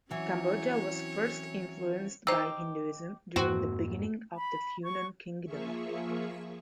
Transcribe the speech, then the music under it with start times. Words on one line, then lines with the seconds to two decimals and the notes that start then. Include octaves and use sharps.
Cambodia was first influenced by Hinduism during the beginning of the Funan kingdom.
0.11 E3 F#3 C4 C#4 C#5
2.27 D#4 G4 C5 E6
3.36 F2 G#2 A#3 C4 F#4
4.35 B5
4.84 C#6
5.45 F3 A#3 F4 G#4 E5 C#6